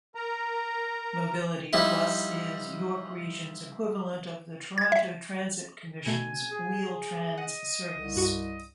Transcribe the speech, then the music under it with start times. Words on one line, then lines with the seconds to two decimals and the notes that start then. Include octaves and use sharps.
Mobility Plus is York Region's equivalent of the Toronto Transit Commission's Wheel-Trans service.
0.15 A#4 A#5
1.73 F3 G3 D#4 E4
4.78 G#6
4.92 E5
6.06 B2 A3 G#5 C7
6.51 G#4
7.37 D#5 F#5
7.94 C2
8.16 G2 F#4 C#6